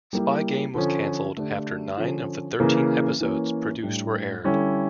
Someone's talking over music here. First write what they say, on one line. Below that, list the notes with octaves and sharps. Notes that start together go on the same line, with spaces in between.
"Spy Game" was canceled after nine of the thirteen episodes produced were aired.
G3 A#3 E4 G4
D3 F3 C#4
D3 A3 D4 G4
D3 F3 C#4
C#3 E3 A#3
E3 A#3 C#4
A2 G3 D4
D3 G3 C#4 E4